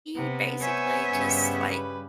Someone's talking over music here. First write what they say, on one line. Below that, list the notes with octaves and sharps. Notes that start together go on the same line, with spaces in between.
he basically just like
C3 B3
C5 C#5 E5 G#5
G2 C#3 G3
B4